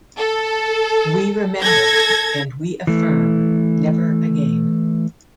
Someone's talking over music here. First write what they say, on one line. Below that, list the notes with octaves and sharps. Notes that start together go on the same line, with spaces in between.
We remember, and we affirm: never again.
A4
A4 G#6 A#6
E3 A3